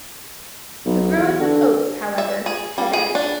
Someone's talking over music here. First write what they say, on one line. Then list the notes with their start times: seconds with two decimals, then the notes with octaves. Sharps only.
The growing of oats, however, had ended.
0.85 B1
1.17 E2
1.40 D3
2.18 E5
2.46 G#4
2.78 G3
2.93 G#4
3.15 D4